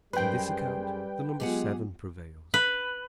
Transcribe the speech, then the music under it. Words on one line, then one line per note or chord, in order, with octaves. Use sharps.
In this account the number seven prevails.
F#2 G3 G#4 B4 C5 G5
F#3 G#3 B3 F4 G4 G#4 F#5
B4